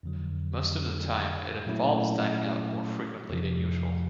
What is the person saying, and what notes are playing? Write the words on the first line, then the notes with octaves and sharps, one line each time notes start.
Most of the time it involves dining out more frequently than usual.
F2 D3 F#3
A#2 F#3 A3 C#4 E4
F2 C3 F3